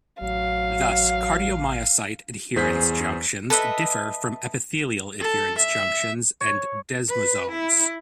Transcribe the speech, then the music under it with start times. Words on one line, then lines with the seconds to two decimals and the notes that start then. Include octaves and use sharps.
Thus cardiomyocyte adherens junctions differ from epithelial adherens junctions and desmosomes.
0.21 A1 F#3 F5
2.56 E2 G#4 C5 G6 B6
3.50 A4 B4 D#5 E5
5.21 A4
5.58 E5
6.41 C#5
7.08 B4
7.52 E4